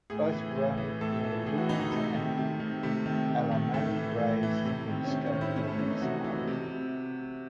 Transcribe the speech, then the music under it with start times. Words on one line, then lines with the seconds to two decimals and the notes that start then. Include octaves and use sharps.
Both Roman era ruins and Alamanni graves have been discovered in the municipality.
0.10 A2 G#4
0.32 E3
0.55 A2
0.78 E3
1.01 A2 A4
1.24 E3
1.46 A2 G#4
1.58 F#4
1.69 E3 D#4
1.92 C3 A3
2.15 D#3
2.37 C3
2.60 D#3
2.83 C3 A3
3.06 D#3
3.28 C3
3.51 D#3
3.74 A2 A3
3.97 E3
4.20 A2
4.43 E3
4.65 C3
4.88 D#3
5.04 C#4
5.10 C3 C4
5.26 C#4
5.34 D#3
5.41 E4
5.56 C3 C#4
5.67 A3
5.79 E3 C#4
5.90 D#4
6.02 C3 F#4
6.24 E3
6.47 C3